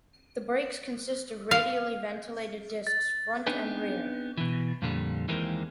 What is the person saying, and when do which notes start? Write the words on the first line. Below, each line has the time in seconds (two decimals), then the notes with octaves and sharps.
The brakes consist of radially ventilated discs front and rear.
1.51 F5
2.87 A6
3.47 B3 C4 D4 D#4 G#4 B4
4.37 B2 E3
4.82 F2 A#2 D3 G3
5.28 D#2 D#3 E3 G#3 A#3 C4